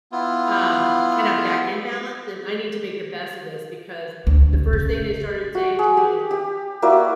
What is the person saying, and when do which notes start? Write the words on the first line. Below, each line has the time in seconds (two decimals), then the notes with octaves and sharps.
um, and I'm back in balance, then I need to make the best of this because the first thing they started saying to me is,
0.12 B3 E4 F4
4.27 D2
4.53 C#3
4.73 C#3
5.55 F#4
5.79 G#4
5.97 G4
6.31 G4
6.82 A#3 E4 F#4 D5